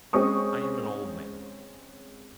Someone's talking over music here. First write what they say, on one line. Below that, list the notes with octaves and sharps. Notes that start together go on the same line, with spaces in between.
I am an old man.
G#3 C4 C#4 C#6 D#6